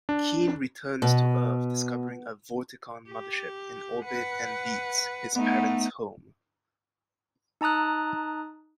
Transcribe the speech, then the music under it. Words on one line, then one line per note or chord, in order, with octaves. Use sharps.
Keen returns to Earth-discovering a Vorticon mothership in orbit-and beats his parents home.
D4
B2
G4
B4 F#5
A3 B3 D#4
D#4 A5 A#5 D#6 F#6